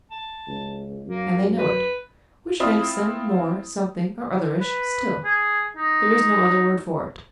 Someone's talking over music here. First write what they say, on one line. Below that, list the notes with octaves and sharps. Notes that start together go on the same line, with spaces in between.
And they know it--which makes them more something-or-otherish still:--there is no other word for it.
A5
C#2
F#2 A#3
B4
C4 E4 F4 B5 D#6
B4
G#4
D#4